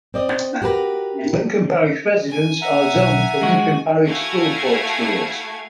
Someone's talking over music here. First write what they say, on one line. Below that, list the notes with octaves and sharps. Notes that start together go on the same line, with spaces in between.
Lincoln Parish residents are zoned to Lincoln Parish School Board schools.
C4 D5 D#5
F#4 G4 A#4 B4
G#5
E5 F#5 A#5
B1
G#3 F#4
A3 E4 F#4 F5 G#5 G#6